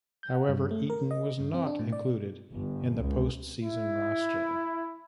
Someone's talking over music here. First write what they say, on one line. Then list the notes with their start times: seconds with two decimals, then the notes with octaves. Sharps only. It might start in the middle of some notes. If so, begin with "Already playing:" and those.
However, Eaton was not included in the postseason roster.
0.23 G6
0.34 F#5
0.49 G2
0.71 A3
0.90 A#4
1.11 D#5
1.40 G2
1.54 C4
1.67 D4
1.79 A2
1.93 D5
2.54 G1
2.99 C#2
3.62 E4